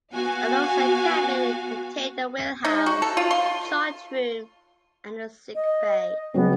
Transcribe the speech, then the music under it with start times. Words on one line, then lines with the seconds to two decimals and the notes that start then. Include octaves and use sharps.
A low set cabin contained the wheel-house, chart room and a sickbay.
0.13 B3 F#4 F5 G#5
2.65 D#4
2.86 F#4
3.02 A4
3.17 F4
3.31 C6
5.55 D#5
6.34 C#3 F#3 B3 C4